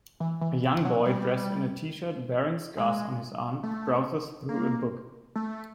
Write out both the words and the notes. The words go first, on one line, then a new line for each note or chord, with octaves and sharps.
A young boy dressed in a tshirt bearing scars on his arm, browses through a book.
E3
E3
F#3
G3
G#3
A3
A#3
A3